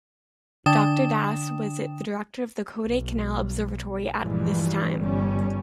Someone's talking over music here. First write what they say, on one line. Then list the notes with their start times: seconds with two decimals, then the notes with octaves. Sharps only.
Doctor Das was the director of the Kodaikanal observatory at this time.
0.66 D3 D4 G5 D#6 E7
2.84 B1
4.19 G2 A#2 E3 F3 G3 G#3
4.98 G1 G3 C#4